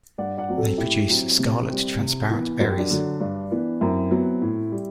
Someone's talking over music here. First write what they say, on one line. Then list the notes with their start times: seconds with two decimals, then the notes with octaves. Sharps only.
They produce scarlet, transparent berries.
0.18 G2 D5 F#5
0.38 D5 F#5
0.49 F#3 C4
0.58 F#4 A4
0.78 A2 E4 G4
1.09 F#3 C4
1.39 C3
1.69 G3 C4
2.00 C3
2.30 E3 B3
2.60 F#2 F#4
2.70 G4
2.79 D4 F#4
2.90 D3 F#3
3.20 G2 D4
3.51 E3 B3
3.81 F#2 C4 E4
4.11 F#3 B3
4.42 A2
4.72 G3